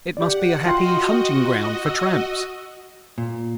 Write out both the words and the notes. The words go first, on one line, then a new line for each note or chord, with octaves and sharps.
"It must be a happy hunting ground for tramps?"
G4 D5 F#5
F4 F#4 D#5 G5 C6
E6
A#2